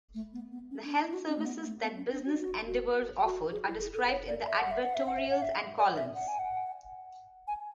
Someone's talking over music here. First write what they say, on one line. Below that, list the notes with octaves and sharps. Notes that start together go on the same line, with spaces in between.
The health services that business endeavors offered are described in the advertorials and columns.
A3
B3
B3
C#4
D4
E4
F#4
C#4
A3
B3
A3
B3
C#4
D4
F#4
F#4
F#4
F#4
G#4
E4
G#4
A4
C#5
D5
E5
F#5
E5
F#5
E5
F#5
E5
F#5
E5
D5
E5
F#5
G#5
F#5
G#5